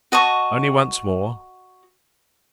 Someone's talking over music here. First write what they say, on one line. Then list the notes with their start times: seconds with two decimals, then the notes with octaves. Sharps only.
"Only once more."
0.12 F#4 D#5 A5 C#6